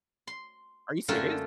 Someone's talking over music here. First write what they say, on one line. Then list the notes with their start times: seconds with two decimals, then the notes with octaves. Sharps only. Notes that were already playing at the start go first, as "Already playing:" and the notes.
Are you serious?
0.27 C6
1.08 F#2 D3 A3 A#3 F4 G5